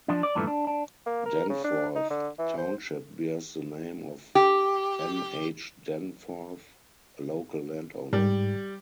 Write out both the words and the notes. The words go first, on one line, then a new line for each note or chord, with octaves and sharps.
Danforth Township bears the name of N. H. Danforth, a local landowner.
F3 D4
D5
G2 A#2 E3 F3 A3
D4
D4
A#3
A#4
C#3
D4
D#4
D3
E3
C5
G4
G#2 G3